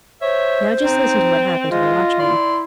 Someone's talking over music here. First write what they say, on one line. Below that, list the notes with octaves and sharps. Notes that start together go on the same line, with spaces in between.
Now just listen to what happened to the watchman.
C5 C#5 E5
C4 D#4
G#3 F4 D#5
E4 D5 C6